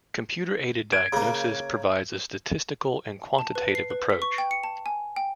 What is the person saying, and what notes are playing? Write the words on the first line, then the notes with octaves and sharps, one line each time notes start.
Computer-aided diagnosis provides a statistical and quantitative approach.
G#6 D7
C#3 A#3
A5
B4
C7
B4
B6
C#6
G5
C#7
A5
G#5
G5